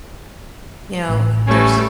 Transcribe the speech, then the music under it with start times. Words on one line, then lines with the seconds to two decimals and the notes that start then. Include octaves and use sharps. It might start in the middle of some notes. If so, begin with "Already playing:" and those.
you know, there's,
1.09 A1
1.47 G3 A3 C#4 G#5